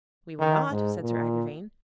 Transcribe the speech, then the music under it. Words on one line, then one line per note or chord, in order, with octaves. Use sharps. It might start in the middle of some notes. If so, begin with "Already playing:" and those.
"We will not," said Sir Agrivain.
D#3
G#2
A#2